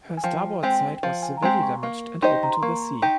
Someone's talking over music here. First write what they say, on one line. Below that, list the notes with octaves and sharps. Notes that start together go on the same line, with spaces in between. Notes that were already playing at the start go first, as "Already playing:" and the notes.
Her starboard side was severely damaged and open to the sea.
G#5
F3 G5
G#3 C4 G4 G5
F3 F5
G#5
A#5
G#3 C4 G4 C6
C#6
A#3 C#6
D#4 G4 C5 D#5 C6
A#5
C6
A#3 C#6
D#4 G4